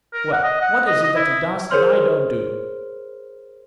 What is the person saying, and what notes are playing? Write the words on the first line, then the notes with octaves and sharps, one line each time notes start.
Well, what is it that he does that I don't do?
A#4
F#5
D#5
F#5
D#5
D#5
E4
G#4 A#4 C5 C#5 C6 F6